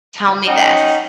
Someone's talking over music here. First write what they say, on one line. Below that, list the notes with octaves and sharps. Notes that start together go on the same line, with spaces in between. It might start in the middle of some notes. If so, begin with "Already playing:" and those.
tell me this."
C#4 D#4 F#5 G5